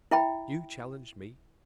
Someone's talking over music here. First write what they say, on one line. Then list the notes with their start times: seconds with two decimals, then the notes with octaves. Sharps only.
You challenged me.
0.11 E4 E5 G5 B5